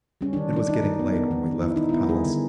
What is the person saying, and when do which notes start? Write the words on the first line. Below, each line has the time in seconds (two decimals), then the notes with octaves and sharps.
It was getting late when we left the Palace.
0.21 G3 C#4
0.33 D#3 D4
0.52 D#3 D4
0.68 D#3 D#4
0.84 D#3
0.99 B3
1.15 B3
1.31 D#3
1.46 D#3
1.62 D#3 E4
1.76 D#3 D#4
1.89 B3 E4
2.09 G3 G#4
2.25 D3